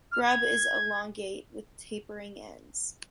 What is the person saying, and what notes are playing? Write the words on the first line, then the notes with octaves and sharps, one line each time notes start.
Grub is elongate with tapering ends.
F6
G#6